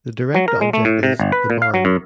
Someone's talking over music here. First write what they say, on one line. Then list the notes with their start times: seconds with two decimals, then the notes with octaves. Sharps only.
The direct object is "the barn".
0.34 F#3
0.48 A#4
0.61 G#3
0.73 A3
0.85 A2
1.03 C3
1.20 G1
1.32 B4
1.50 A#2
1.62 F5
1.74 F#3
1.85 F#2